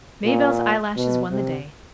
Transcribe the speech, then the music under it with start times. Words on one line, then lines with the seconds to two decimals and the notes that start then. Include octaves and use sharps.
Maybelle's eyelashes won the day.
0.25 A#2
0.96 B2
1.31 C3